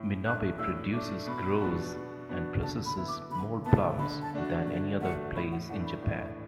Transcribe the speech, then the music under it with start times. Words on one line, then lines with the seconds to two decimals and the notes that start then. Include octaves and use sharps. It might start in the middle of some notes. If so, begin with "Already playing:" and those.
Minabe produces grows and processes more plums than any other place in Japan.
Already playing: A2
0.25 A3 D4 F#6
0.59 A2 E6
0.93 A3 D4 D6
1.27 B2 B5
1.61 B3 D4 F#4
1.95 B2
2.29 B3 D4 F#4
2.63 D3 A5
2.86 B5
2.97 B3 E4
3.08 D6
3.31 D3 B5
3.65 B3 E4 A5
3.99 D3 B5
4.22 A5
4.34 A3 D4 F#4
4.44 D5
4.67 D3 D5
5.02 A3 D4 F#4 F#5
5.35 A2 B5
5.52 F#5
5.69 E3 A3 D4 F#5
5.87 B5
6.03 A2